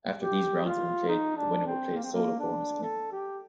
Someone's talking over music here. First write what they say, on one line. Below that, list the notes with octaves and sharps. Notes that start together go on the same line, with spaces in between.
After these rounds have been played, the winner would play a solo bonus game.
G4
F4
D#4
D4
C4
A#3
C4
A#3
D4
A4
G4